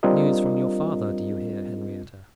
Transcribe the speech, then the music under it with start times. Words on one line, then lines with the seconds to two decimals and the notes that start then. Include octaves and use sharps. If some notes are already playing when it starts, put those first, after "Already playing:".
News from your father, do you hear, Henrietta?
0.03 G3 C4 D4 F4 A#4 D#5